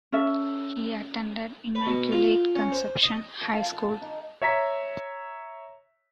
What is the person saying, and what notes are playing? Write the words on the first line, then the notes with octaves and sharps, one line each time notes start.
He attended Immaculate Conception High School.
C#4 A4 E5
B4
B2
F4
C#4
C5
D#5
A5
F5
A5
D#4
C#5 E5 A#5 B6